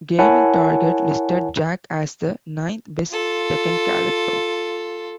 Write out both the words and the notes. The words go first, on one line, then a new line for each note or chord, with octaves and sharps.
Gaming Target listed Jack as the ninth best "Tekken" character.
E4 A#4 C#5 F#5 G#5 A5
F4 A4